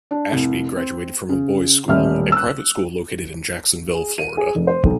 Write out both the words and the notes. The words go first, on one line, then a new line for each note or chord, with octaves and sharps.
Ashby graduated from The Bolles School, a private school located in Jacksonville, Florida.
D4
F1 C2
C4
C#3
D#1 A1 G3 E5 F6
E6 F#6
G#4
D#7
G#4
F1
C5
B1